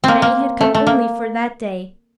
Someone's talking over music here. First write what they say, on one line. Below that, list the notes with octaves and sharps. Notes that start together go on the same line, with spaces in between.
Many had come only for that day.
A#3 C4
A#3
A3
A3
A#3